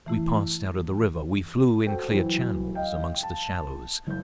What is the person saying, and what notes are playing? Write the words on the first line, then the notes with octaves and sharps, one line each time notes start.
We passed out of the river; we flew in clear channels amongst the shallows.
E3 A3 E4
F#4 A4 C5 G5
E3 F#3
D#5 F5 G5
A5
F#1 G6